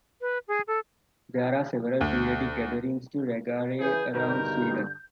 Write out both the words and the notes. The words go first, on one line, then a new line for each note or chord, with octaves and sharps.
There are several periodic gatherings for raggare around Sweden.
B4
G#4
A4
D2
C#3 E3 G#4 B4 G6
G2 B2 D3 D#3 A#4